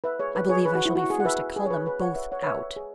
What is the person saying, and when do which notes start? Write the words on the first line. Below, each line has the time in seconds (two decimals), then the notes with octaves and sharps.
I believe I shall be forced to call them both out.
0.04 B4 E5
0.19 G#4 C#5
0.35 B4
0.49 G#4 C#5
0.65 B4
0.75 F#4
0.85 E4
0.95 F#4
1.10 G#4
1.20 F#5
1.25 B4 E5
1.56 G#4
1.66 C#5
1.70 B4
1.86 B4
2.01 C#5 F#5
2.16 B4 E5
2.32 C#5 F#5
2.42 C#5
2.46 B4 E5
2.76 G#4 C#5